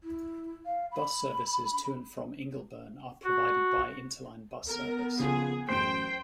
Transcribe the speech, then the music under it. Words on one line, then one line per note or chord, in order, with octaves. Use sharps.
Bus services to and from Ingleburn are provided by Interline bus service.
E4
F5
B5
F#4
B3 A#4
C#3 F3 G#4
A1 F#2 C5 G5 D7